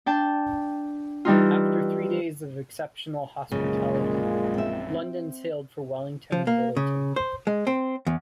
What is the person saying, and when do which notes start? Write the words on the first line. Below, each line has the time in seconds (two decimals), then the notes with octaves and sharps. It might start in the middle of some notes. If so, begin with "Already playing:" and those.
After three days of exceptional hospitality, "London" sailed for Wellington and Lyttleton.
0.06 D4 G5 A5
1.25 E3 G3 D#4 F4
3.52 A#1 F#2 A#2 C#3 G#3 F4 G#4
4.54 C4 E5
6.32 F3
6.47 A#3
6.77 C#3
7.16 C5
7.47 G#3
7.67 C4
8.07 E2